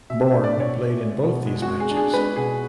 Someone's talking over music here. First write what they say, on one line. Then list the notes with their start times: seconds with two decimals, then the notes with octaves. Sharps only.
Born played in both these matches.
0.10 B2 E5
0.27 D4 E5
0.44 D5
0.56 B2 C#5
0.77 B2
1.01 G#3
1.24 B2
1.46 G#3
1.62 F#4
1.68 G#3
1.80 G#4
1.91 D4
1.97 G#4
2.13 G#3 B4
2.36 B2 G#4